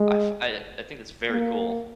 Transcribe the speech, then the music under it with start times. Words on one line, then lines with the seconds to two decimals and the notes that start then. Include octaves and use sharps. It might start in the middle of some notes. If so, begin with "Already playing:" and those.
I f I, uh I think it's very cool.
Already playing: G#3
1.30 A#3